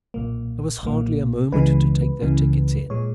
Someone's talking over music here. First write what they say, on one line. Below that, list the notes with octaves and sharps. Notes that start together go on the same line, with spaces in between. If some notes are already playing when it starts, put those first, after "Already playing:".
There was hardly a moment to take their tickets in.
B1 A#2 A#3
B1 A#2 A#3
C#2 C#3 E3 G#3 B4
C#2 C#3 E3 G#3
A#2 G#3 C#5